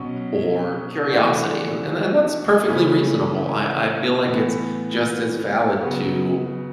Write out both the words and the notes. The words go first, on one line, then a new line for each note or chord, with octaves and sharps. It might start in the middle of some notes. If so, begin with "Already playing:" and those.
or curiosity and and then that's perfectly reasonable, I I feel like it's just as valid to,
Already playing: B2 F#3 C#4
E3 A3 D4 F#4
C#3 E3 A3 C#4
A2 E3 B3
C#3 F#3 B3